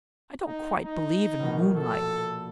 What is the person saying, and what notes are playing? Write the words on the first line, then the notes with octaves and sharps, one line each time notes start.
I don't quite believe in moonlight.
D#4
D#4
A#1 B2
A4